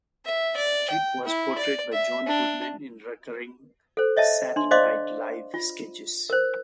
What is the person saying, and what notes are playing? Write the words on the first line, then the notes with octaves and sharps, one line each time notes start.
Tripp was portrayed by John Goodman in recurring "Saturday Night Live" sketches.
E5
D5
G5
E4
D5
E5
D4
A4 C5
C#5 D#5 E5 A5
D4 C6
C5 D5 D#5 F5 C6 D6
F4
A#4 C5